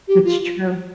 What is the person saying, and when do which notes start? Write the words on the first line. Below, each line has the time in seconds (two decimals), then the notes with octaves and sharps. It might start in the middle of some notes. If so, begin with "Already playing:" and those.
It's true.
0.08 G4
0.25 F4